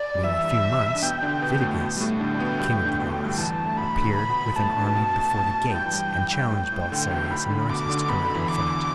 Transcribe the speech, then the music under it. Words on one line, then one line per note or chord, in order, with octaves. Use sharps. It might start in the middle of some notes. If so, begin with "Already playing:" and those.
But in a few months, Vit'i-ges, king of the Goths, appeared with an army before the gates and challenged Belisarius and Narses to come out and fight.
Already playing: D5
G3
E2 E3 E5
G2 G3
D4
B2 B3 G5
D3 D4
B2 B3
B3
A2 A3
B2 B3
G3
A2 A3
D3 D4 G5
D4
B2 B3
G2 G3
A2 A3
D3 D4
B2 B3
A2 A3
G2 G3
E2 E3 A5
A3
B2 B3 B5
D3 D4
B5
B2 B3
A2 A3 A5
A2 A3
D4
B2 B3
B2 B3
A2 A3
A2 A3
G2 G3 G5
E3
G2 G3
G2
A2 G5
A2
D2 D3
B1 B2
A2 B5
D2 D3
B2 B3 D6
D3 D4
B2 B3 B5
D3
E2 E3
D6